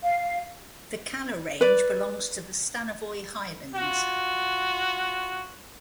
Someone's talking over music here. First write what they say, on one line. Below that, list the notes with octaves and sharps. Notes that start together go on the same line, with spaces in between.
The Kalar Range belongs to the Stanovoy Highlands.
F5
B4 D5
F4 F#4